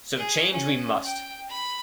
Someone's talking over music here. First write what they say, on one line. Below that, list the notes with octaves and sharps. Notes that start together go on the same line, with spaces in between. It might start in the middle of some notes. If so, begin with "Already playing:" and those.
So change we must!
G#4
C#4
G5
B5